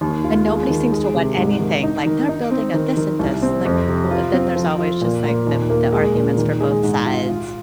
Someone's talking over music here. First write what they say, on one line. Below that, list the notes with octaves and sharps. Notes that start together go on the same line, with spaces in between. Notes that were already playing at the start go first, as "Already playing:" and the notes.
And nobody seems to want anything, like, "They're building a this and this," like, will and then there's always just, like, the the arguments for both sides,
D#2
F4
G#3
D#3
G#3
C3
G#2
D#3
D#4
D#3
D#4
C4
D#3
D#3
C2
C4
F2
C3
F4
C4
F3
F4
A#2
A#2
D#2
A#3
G#3
A#2
D#3
G#3
G#2
F4
F4